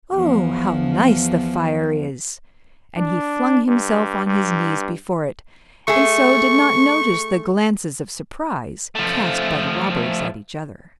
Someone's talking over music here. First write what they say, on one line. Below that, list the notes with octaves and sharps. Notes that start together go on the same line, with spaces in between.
Oh, how nice the fire is!' And he flung himself on his knees before it, and so did not notice the glances of surprise cast by the robbers at each other.
E2 F3
D4
G2
G2
A3 G#4 C#6
F3 A3